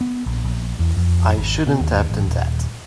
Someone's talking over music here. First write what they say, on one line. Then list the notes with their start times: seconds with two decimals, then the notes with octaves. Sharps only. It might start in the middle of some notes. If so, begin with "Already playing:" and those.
I shouldn't have done that.
0.01 B3
0.26 A#1
0.45 A#1
0.79 E2
0.97 F2
1.37 G#1
1.66 B2
1.80 D#2
2.10 A1
2.26 D#1